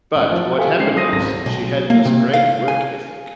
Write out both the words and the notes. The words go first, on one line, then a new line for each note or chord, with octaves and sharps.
But what happened is, she had this great work ethic.
A1
F3
G4 A4 F5 G#5
G#3 C#4 C7
F#3 A4 C5 D#6 A#6 D#7
G#1 C#2 A#6
B1
A#3
C3
F5
G#5